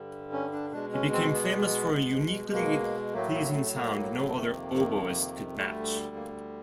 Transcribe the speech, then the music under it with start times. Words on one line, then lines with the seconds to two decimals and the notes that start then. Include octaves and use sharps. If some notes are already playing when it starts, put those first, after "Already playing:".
He became famous for a uniquely pleasing sound no other oboist could match.
Already playing: G2 D3 G3
0.32 C#4
0.52 D4
0.72 B2 G#3 D4
0.93 C#4
1.13 C4
1.32 B3
1.93 B2 G#3
2.54 A#3
3.13 A2 F#3 A3 A#3
3.34 A#3
3.54 A3
3.75 A#3
4.34 F2 C3 D#3 A3
4.55 A#3
4.74 A#3
4.95 A#3
5.55 D2 D3 G3 A3
6.15 A#3